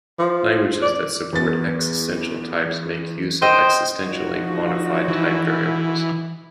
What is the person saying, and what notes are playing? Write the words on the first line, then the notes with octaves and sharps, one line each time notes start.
Languages that support existential types make use of existentially quantified type variables.
F3
D5
E2 B3 A6
C5 D#5 G5
F3 D#4 F#4
E3